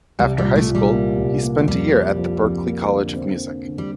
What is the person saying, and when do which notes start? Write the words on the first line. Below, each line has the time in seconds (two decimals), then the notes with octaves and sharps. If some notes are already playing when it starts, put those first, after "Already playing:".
After high school, he spent a year at the Berklee College of Music.
0.19 C2 G3
0.38 G3
0.44 A#2
0.56 A3
0.68 A#2
0.75 G3
0.94 A#3
1.18 C2
1.43 A#3
1.58 A3
1.67 F2 G3
1.92 A#3
2.16 F3
2.41 F2
2.66 A#3
2.91 D3
3.16 C4
3.40 D3
3.65 D3
3.78 G3